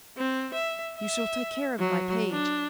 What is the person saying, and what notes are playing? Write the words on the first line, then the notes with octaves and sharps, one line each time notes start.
You shall take care of my page.
C4
E5
E5
F#3
D4